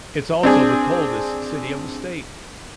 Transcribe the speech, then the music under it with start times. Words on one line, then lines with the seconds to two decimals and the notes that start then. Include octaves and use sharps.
It's also the coldest city of the state.
0.43 C4 D4 G#4